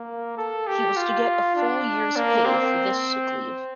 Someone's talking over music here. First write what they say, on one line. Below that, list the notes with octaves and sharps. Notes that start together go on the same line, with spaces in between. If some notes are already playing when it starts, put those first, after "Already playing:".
He was to get a full year's pay for this sick leave.
Already playing: A#3
A4
G4
F4
D4
A#3
C4